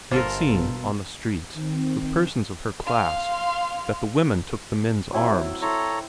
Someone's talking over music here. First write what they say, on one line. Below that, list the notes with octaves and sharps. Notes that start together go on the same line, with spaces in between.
He had seen, on the streets, with persons of her class, that the women took the men's arms.
G1 F4 A4 A#4 C5
B2
D#3 C4
F5 C6
F#3 C4 E4
E4 A4 C#5 A#5 C6